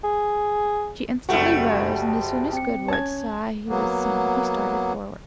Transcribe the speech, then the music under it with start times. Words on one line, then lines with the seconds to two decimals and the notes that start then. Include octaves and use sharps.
She instantly rose, and as soon as Goodwood saw he was seen he started forward.
0.04 G#4
1.29 F#1 G3 A3 F#4 F#5
2.53 C4 C#7
2.88 C#4 C#5 A5 G#6
3.69 F#3 A#3 B3